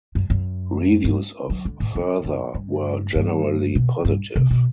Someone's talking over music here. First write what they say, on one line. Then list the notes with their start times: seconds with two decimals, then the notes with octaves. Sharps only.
Reviews of "Further" were generally positive.
0.15 F#2
0.30 F#2
1.04 G2
1.50 F#3
1.65 D3
1.80 A2
1.95 F#2
2.24 F#2
2.54 G2
3.15 G2
3.75 B2
4.05 G2
4.36 C3
4.50 B2